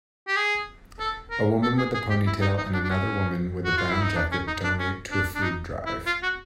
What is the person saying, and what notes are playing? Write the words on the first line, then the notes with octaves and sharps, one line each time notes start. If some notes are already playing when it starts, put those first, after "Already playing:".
A woman with a ponytail and another woman with a brown jacket donate to a food drive.
G4
G#4
A4
A#4
A4
G#4
G#4
G4
E4
D#4
D#4
D4
D4
C#4
F#4
F4
E4
D#4
D4
C#4
D#4
D4
C#4
D4
D4
D#4
E4
F4
F#4